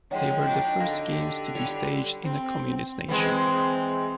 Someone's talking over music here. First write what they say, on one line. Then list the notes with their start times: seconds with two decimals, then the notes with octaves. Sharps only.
They were the first Games to be staged in a communist nation.
0.11 F3 G#3 D#4 C#5 F#5 G5
0.46 D4 D#4 F#4 C#5 G5 G6
0.78 D3 F5 A#6
1.12 G4
1.55 G3 G4 C#5 F7
2.24 C4
3.08 E3 G#3 C4